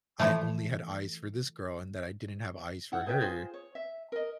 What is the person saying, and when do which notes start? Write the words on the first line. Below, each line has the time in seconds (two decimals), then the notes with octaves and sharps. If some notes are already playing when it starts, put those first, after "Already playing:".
I only had eyes for this girl and that I didn't have eyes for her
0.19 E3 F3 A3
2.92 E4 F#5
3.06 G#4 B4 E5 G5
3.21 F4 G#4 C5
3.54 C#5
3.75 E5
4.12 A#4 D#5